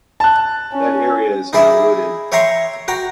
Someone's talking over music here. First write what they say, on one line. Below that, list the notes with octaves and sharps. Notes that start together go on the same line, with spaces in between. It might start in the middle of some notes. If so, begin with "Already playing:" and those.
That area is now wooded.
A5 F#6
C#4
D#4 E4 G#4 D5 E5
C#5 E5 G5 A#5 C6 C#6
F#4 G5 A#5